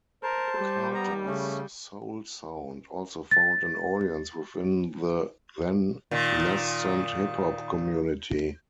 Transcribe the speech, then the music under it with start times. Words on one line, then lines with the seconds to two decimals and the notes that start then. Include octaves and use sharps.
Carter's soul sound also found an audience within the then-nascent hip-hop community.
0.23 A#4 C5 A5
0.58 G3
0.94 B3 A#5
1.26 C#3 A3 C#4
3.31 A6
6.11 A#2 D#3